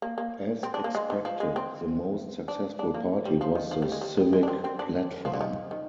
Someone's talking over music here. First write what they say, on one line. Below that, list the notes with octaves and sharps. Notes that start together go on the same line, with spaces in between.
As expected the most successful party was the Civic Platform.
A#3
A#3
C4
D4
A#3
G#3
D#3
F3
G#3
C4
D4
D4
A#3
G3
F3
D#3
F3
G3
G#3
G3
G3
G#3
D4
C4
C4
D4
F3
D3
D#3
D#3